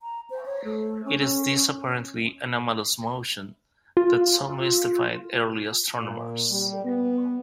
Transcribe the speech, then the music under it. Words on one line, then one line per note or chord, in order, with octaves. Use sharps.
It is this apparently anomalous motion that so mystified early astronomers.
A#5
C5
C#5
A3
C#4
C#4
F4
A#2
G3
B3